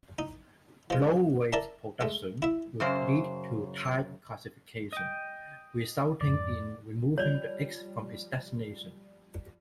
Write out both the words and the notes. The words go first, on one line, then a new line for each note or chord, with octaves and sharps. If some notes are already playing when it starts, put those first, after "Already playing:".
Low-rate production would lead to type-classification, resulting in removing the "X" from its designation.
D#4
F3 G#3
A4 A#4 D5 E5 A5
G#3 A3
E4 E5
F#2 C#3 C5
D#5 G5
F2 G#2 D5
F3 G3 C#5 D5 F7